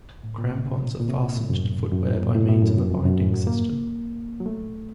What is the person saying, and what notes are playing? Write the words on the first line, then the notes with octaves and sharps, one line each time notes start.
Crampons are fastened to footwear by means of a binding system.
A2
A#2
C3
C#3
A#2
C3
A#2
A2
F#2
F#2
A2
A#2
A2
A2
F#2
F#2
F2
F#2
A2
F#3
A#3
F#3
A3